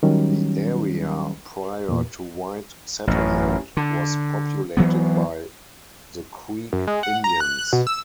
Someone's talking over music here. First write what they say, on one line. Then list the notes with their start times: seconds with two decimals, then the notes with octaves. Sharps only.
The area prior to white settlement was populated by the Creek Indians.
0.03 D#3 F#3 G3 C#4
1.89 E2 A#2
3.07 A1 F#2
3.77 D3
4.77 E3 F#3 B3
6.73 F#2
6.87 G#3
7.03 F#5
7.24 A#5
7.40 F#6
7.59 F#6
7.73 B2
7.87 E6